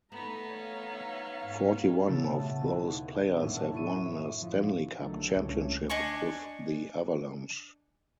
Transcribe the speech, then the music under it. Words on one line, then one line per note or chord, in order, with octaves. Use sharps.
Forty-one of those players have won a Stanley Cup championship with the Avalanche.
A3 B3 D#4 A#5 B5
C#5 F5
G#2
A#2 C#3 A3 B3 E4 A4
B2 A3
D#2
E2 A2 F#3 A3 C#4 D4
F#2 E4 C#6 C#7 D#7
F3
A#1 D3 D#3 F#3 A3
C#2 A3 C#4
D4 D#5 G#5 C#6